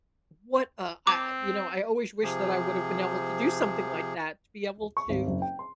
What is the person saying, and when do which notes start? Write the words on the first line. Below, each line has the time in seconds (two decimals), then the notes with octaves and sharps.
what, uh, I you know, I always wish that I would've been able to do something like that, to be able to,
1.07 C4 D6
2.23 C3 F3 G#4
4.97 C#6
5.09 G#1
5.27 F#1
5.42 G5
5.59 C6